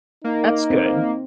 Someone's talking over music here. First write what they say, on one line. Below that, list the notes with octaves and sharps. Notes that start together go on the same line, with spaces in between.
That's good.
A#3 D#4
C4